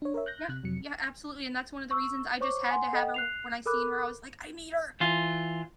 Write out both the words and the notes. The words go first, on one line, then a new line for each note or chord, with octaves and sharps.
Yeah. Yeah, absolutely, and that's one of the reasons I just had to have her when I seen her, I was like, "I need her.
D4 C#5
A#4 C#5 E5
F#6 G6 A#6
C3 F#6
F2 C3 F#3 C#7
C#6 E6
C5 C#5 C#6 D6
F#5 G#5 C6
A4 D#5 F#5 G5
F#6 C7 F7
A4 A#4 B5 D6 F#6
E3 F4